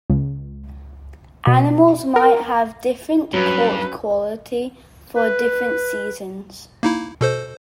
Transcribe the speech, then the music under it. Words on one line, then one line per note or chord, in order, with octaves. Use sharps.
Animals might have different coat quality for different seasons.
C#2
B2
A#4
G2 F#3 C#4 B4
B4
A#3 D#4 E4
B2 A4 C5